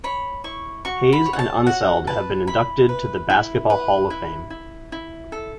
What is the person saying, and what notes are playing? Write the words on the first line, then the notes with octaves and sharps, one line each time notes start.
Hayes and Unseld have been inducted to the Basketball Hall of Fame.
C#5 B5
E4 C#6
F#4 C#6
B5
C#5
F#5
A5
F#4 F#5
B4 A5
E4 B5
B4
E4
B4
E4
E4
E4
A4